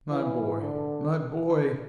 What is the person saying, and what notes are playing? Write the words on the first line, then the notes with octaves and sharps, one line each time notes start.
My boy! my boy!
E3
D3